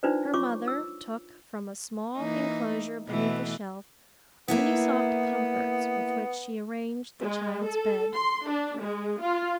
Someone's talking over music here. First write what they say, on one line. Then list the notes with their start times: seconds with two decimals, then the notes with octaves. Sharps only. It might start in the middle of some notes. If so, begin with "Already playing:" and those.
Her mother took from a small inclosure beneath a shelf many soft comforts with which she arranged the child's bed.
0.03 D4 D#4 F4 B4 C5 D5
0.33 F4 C#5 C#6 D6
0.68 E6
2.17 E3 A#3 D#4
3.08 B2 E3 A3
4.48 A#3 B3 E4 B4
7.20 G#3
7.65 A4
8.14 C6
8.48 D4
8.80 G#3
9.21 F4